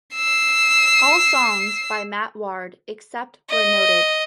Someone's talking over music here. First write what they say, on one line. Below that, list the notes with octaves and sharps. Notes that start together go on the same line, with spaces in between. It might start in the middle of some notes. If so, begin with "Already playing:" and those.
All songs by Matt Ward except where noted.
E6 C7
D#5